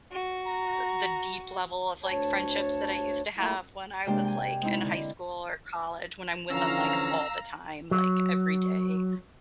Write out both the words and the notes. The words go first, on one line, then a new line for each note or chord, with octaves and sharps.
uh, the deep level of, like, friendships that I used to have when I was, like, in high school or college when I'm with 'em, like, all the time, like, every day.
F#4
A#5
D2 C#5 A5
A3 A#3 E4 F4 G#4
C3 G#3 A#3 C4 D4 G4
G5 G#5
G#3 C4 D#4 E4
D3
D3 E3 F3 C#4 F5 A#5 E6
F#3